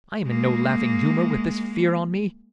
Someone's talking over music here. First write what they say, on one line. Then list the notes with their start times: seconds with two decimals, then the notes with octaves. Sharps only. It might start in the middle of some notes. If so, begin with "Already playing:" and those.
I am in no laughing humor with this fear on me.
0.25 G#3 A#3